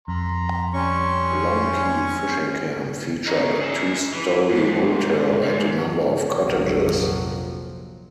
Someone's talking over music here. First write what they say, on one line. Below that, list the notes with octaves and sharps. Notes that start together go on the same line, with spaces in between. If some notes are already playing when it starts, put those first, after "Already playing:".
Long Key Fishing Camp featured a two-story hotel and a number of cottages.
F2 A#5 C6
G3 C#4 C6 C#6
C#4 D#4
G#4 E5
E3
G#2 C3
G#2
A#1 F2 C3 F3 F#3